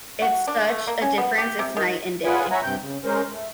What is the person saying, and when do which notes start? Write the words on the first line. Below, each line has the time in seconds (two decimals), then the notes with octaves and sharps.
it's such a difference, it's night and day.
0.22 F#4
0.48 D4
0.69 A3
0.87 A#3
1.02 C#4
1.18 B3
1.38 G4
1.59 C3
1.77 D#3
2.25 F4 G#4 B4 F#5 G#5 B5
2.51 C#5 E5 F#5 G#5 A#5 B5
2.63 G2 C3 G5 G6
2.81 C#3
3.04 G#3 C#4 A#4 C5
3.33 A3